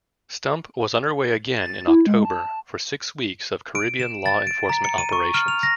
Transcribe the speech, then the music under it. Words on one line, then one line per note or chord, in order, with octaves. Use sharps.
"Stump" was underway again in October for six weeks of Caribbean law enforcement operations.
A6
E4
G#3
A5
D7
E7
A6
D7
A#5
C#7
D#7
C#6
F6
F7
A#6